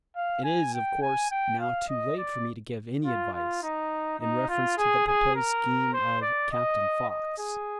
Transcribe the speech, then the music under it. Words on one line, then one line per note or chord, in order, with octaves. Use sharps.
It is, of course, now too late for me to give any advice in reference to the proposed scheme of Captain Fox.
F5
G#5
G5
G#5
G5
F5
D#5
D5
F4
F4
D#4
D#4
F4
G#4
G#4
A#4
C5
D5
D#5
D#5
G#4